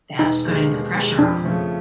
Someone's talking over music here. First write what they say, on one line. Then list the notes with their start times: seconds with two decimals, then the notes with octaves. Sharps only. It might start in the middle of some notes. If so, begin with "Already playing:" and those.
That's putting the pressure on.
0.19 E1 D#4
0.45 D#2 D#3 G#3
0.69 E1
0.94 D#2 D#3 G#3
1.19 F2 D4
1.45 C#3 F3 A3 C#4